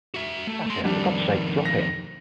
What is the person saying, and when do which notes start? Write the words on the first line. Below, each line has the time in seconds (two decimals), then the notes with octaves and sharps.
Sasha, for God's sake, drop it!
0.14 F#4 E5
0.47 A3
0.67 A3 C6
0.84 F2 D#3 G3 D4
1.65 A#6